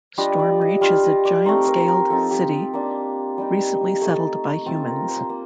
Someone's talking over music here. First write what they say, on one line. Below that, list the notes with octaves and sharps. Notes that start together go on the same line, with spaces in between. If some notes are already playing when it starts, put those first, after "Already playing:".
Stormreach is a giant-scaled city, recently settled by humans.
G3 D4 F4 D#5
D5
D#5
G3 D4 F4 F5
D#5
D5
A3 C4 D#4 C5
A#4
A#4
F3 C4 D#4 A4
G4
A#3 D4 F4
G3 A#3 D#4
A3 D#4 A4
A3 C4 F4 A4
A#4
C5
A#3